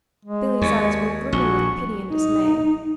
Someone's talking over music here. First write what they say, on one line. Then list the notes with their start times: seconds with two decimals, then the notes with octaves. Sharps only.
Billy's eyes were brimming with pity and dismay.
0.25 G#3
0.62 D#2 D5 G#5 C#6
1.33 A#1 F#4 G#5 A5 C#6
2.12 D#4